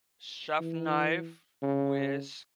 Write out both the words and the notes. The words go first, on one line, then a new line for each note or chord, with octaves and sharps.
chef knife, whisk,
E3
C#3